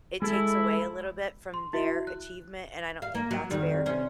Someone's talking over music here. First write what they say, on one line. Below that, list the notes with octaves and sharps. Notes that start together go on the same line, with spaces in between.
It takes away a little bit from their achievement, and I don't think that's fair.
G#3 E4 G#4 A4
C6
E4 F#4 E5
F#6
F5
A#3
F#3
F2 D#3 G3
C3 C#4 C5